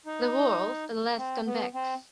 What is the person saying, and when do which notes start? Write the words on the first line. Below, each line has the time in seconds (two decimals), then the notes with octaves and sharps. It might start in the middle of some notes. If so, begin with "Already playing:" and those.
The whorls are less convex.
0.06 D#4
1.18 C4
1.47 B3
1.75 C4